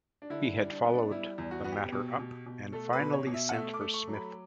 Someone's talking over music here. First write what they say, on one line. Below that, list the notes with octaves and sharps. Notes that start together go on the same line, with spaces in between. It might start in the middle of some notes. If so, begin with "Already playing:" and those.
He had followed the matter up and finally sent for Smith.
D4
D3 E4
G3
D4
B3
D4
G3 E4
E2
F#4
B3 F#4
G4
B2
B2
B2
A3 A4
B4
B2
C#5
B2
E5
F#5
A3 E5
D6
A3
C#6
F#3
B5